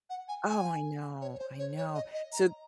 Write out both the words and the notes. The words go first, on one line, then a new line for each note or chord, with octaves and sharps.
Oh, I know, I know, so
F#5
G#5
G#5
C#5
C#5
C5
C#5
C#5
D#5
D#5
A#5